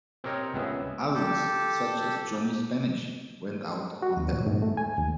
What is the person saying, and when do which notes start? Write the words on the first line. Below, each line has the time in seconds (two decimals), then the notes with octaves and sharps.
Others, such as Johnny Spanish, went out on their own.
0.24 C4 G4 A#4 C#5 D#5
0.54 C#2 B3 G#4 E5
1.15 G4 A4
4.02 F#4
4.17 D#2
4.33 A#2
4.47 G#2
4.62 A3
4.77 G#5
4.98 D#2